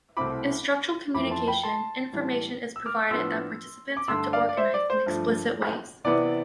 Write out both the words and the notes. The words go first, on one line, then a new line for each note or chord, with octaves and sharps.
In structural communication, information is provided that participants have to organize in explicit ways.
C2 B2 A3 C4 E4 B5 D6
F2 E3 A3 E4 B5 D6
A5 C6
G5 B5
A5 C6
A2 E3 G3
E6
D6 F6
A2 F3 B3 D4 C6 E6
D6
G2 D3 A3 C6 E6
D5 F5
D5
C5 E5
D5
C5
G2 F3 A3
C3 E3 B3 E4 D5